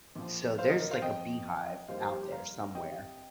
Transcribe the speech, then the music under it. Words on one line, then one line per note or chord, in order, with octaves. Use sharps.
So there's like a beehive out there somewhere
A#1 A#2 F3
C5 F5
A#4 D#5
A#4 D#5
C5 F5
F2 F3 D#5 G5
F1 D#2 D#3 G3 C5 F5
G4 C5
G4
G4
F5 A#5
C2 C3 G3 D#5 G5